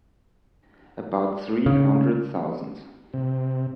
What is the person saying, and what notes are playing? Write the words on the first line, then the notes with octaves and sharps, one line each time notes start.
About three hundred thousand.
C#3
C3